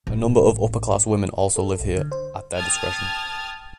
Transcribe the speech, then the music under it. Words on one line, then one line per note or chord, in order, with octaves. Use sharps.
A number of upperclass women also live here, at their discretion.
A1
A4
B1
D3
C5
G5 A5 D#6 F6 G#6 A6